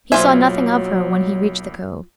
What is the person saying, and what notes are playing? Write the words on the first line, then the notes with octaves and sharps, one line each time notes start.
He saw nothing of her when he reached the Cove.
B1 F#3 A#3 F4 C5 D5 E5 G#5